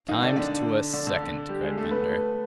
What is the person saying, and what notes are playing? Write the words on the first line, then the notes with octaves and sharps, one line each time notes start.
"Timed to a second!" cried Ventnor.
D#3 D#4
D3 D4
D3 D4
D3 D4
D3 D4
G3 G4
G#3 G#4
A3 A4
B3 B4